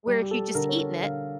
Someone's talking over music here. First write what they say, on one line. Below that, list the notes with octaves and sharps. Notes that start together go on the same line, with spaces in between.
where if you'd just eaten it
G3 G4
G4
A4
D3 A#4
C#5
A#4
D3 F5